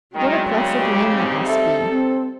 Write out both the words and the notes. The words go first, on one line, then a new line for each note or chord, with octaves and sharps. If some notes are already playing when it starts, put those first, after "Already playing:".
What a blessed land that must be!
D#3 F#3 G#3 D4 G5
D#2 C#3
G4
G3 C4 D#4
A4 E5
C4